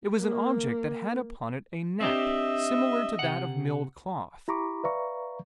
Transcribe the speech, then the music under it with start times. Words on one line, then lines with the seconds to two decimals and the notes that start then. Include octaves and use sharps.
It was an object that had upon it a nap, similar to that of milled cloth.
0.18 A#3
2.01 C4 D4 G4 D#5 E5
3.19 C3 F#5
4.48 E4 G4 A#5 B5 C#6 D6
4.84 B4 D5 E5 F5 A#5 C#6